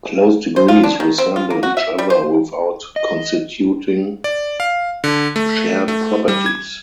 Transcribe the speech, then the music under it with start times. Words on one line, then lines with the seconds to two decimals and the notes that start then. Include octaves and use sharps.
Close degrees resemble each other without constituting shared properties.
0.56 C5
0.68 F4
0.83 D4
1.00 D#3
1.18 C4
1.36 F4
1.50 A#3
1.63 F#4
1.77 E5
1.98 G3
2.10 C5
2.96 D#5
4.24 D5
4.60 F5
5.04 D3
5.36 A3
5.88 A3
6.28 G3
6.46 G#6